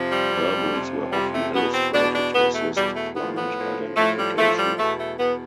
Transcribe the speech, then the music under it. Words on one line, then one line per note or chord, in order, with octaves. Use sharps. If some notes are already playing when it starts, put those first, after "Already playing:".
Herbals were often illustrated to assist plant identification.
Already playing: F2 C3 F3
G3
F2 C3 F3
F2 C3 F3
F2 C3 F3 G3
A3
E2 B2 B3
C4
E2 B2 D4
D4
E2 B2 B3
A3
E2 B2 G3
A3
A2 F3 B3
B3
A2 F3
A2 F3 A3
G3
A2 F3 A3
G3
E2 B2 A3
A3
E2 B2 B3